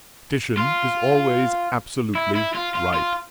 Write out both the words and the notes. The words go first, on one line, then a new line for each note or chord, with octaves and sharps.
Titian is always absolutely Right.
F4
E4
E4
F4
F4
F4